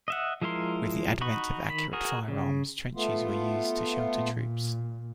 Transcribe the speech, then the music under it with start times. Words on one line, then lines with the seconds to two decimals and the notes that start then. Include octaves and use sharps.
With the advent of accurate firearms, trenches were used to shelter troops.
0.08 D#5 E5 F#5
0.42 F3 G#3 E4 A#4 C6
1.21 D#4 F#4 B5 C#6
1.69 D#3 B5
1.93 F#4 G#4 A#4
2.28 C#3
2.95 A3 B3 F4
4.16 A#2